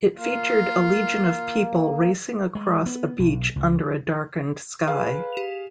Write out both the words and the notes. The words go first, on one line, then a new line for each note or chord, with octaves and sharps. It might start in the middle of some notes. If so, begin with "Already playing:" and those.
It featured a legion of people racing across a beach under a darkened sky.
A#3 F4
G#3
B3
B1
C#2
G#4 B4 F5
G4 E7 F7